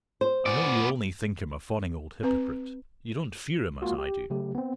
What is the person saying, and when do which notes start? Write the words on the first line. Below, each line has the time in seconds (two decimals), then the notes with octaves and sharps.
I know you only think him a fawning old hypocrite--you don't fear him as I do.
0.21 C5
0.46 B3 D5
2.23 C4 B4 A#5
3.82 G#3 A#3 F4 F#4
3.99 G4
4.30 C#3 F#3 A3 G4
4.55 B3 C4